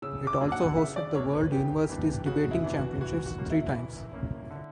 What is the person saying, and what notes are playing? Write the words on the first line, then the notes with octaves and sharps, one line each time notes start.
It also hosted the World Universities Debating Championships three times.
C#3 E6
D6
F#3 A#3 D4
F#5
C#3 E5
D5
F#3 A#3 D4 C#5
B4
C#3 G4
E3 B3 D4
C#3 F#4
E4
E3 B3 D4
F#4
E3 F#4
F#4
A#3 C#4
E4
E3
A#3 C#4
D3